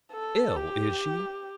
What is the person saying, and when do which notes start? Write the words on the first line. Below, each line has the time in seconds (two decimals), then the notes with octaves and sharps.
'Ill! is she?
0.12 A4
0.56 G4